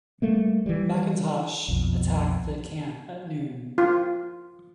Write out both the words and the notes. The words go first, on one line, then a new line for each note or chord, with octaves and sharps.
McIntosh attacked the camp at noon.
G3 A3 A#3
E3 G3
B1 F2
F4